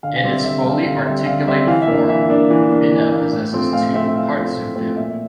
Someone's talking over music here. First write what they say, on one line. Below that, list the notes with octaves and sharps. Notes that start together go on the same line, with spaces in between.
In its fully articulated form, Binah possesses two "partzufim".
D3 F5
F5
G3 C4
E5
D3 E5
G3 C4 F5
D3 F5
G3 C4 E5
D3 F5
G3 C4 E5
E3 F5
E5
A#3 D4
E5
E3 E5
A#3 D4
E3
A#3 D4
E3
A#3 D4
A2
F3 A3 C4
A2 F5
F3 A3 C4 E5
A2 F5
F3 A3 C4
A2
F3 A3 C4
A#2 E5